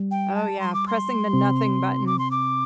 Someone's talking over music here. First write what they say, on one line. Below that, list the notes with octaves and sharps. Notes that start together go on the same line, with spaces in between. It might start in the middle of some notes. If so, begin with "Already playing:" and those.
Oh, yeah, pressing the nothing button.
Already playing: G3
G5
A5
C6
D6
C6
C3 C4
D6
C6
D6